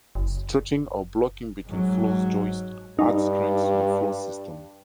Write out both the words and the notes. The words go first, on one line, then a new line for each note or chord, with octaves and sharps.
Strutting or blocking between floor joists adds strength to the floor system.
F#1
G#2 F#3
G2 D#4